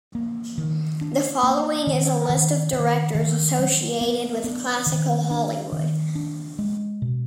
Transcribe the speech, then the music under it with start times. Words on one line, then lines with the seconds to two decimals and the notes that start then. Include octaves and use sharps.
The following is a list of directors associated with classical Hollywood.
0.15 A#3
0.58 D#3
1.01 D4
1.43 A#3
1.87 D#3
2.30 D#3
2.73 D#3
3.15 D#3
3.59 F#3
4.01 B3
4.44 B3
4.86 D#3
5.31 D4
5.72 D#3
6.15 D4
6.59 G#3
7.02 B2